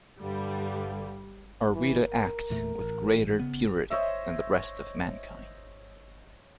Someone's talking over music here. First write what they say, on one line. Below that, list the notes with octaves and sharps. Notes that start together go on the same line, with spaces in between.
Are we to act with greater purity than the rest of mankind?
G2 D3 G3
E3
A#4
E2 A#2 A3
A1
C#3 B3
C5 C#5 D#5 E5